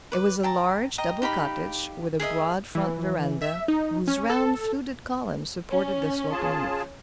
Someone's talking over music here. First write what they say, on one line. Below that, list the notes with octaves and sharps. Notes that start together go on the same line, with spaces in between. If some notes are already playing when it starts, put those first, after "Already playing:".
It was a large, double cottage, with a broad front veranda, whose round, fluted columns supported the sloping roof.
B4 D6
G5 A5 A#5
D#5 G5 A#5
D#4 G4 F5 B5
G#4 A#4 D#5 E5
E3
E5
D#4
C#4
A4
C#4
F4 G#4 A5